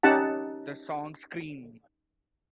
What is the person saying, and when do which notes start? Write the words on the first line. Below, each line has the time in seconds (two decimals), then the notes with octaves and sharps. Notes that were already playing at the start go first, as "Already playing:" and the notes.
The song Scream!
0.03 C#4 D#4 G4 F#5 A5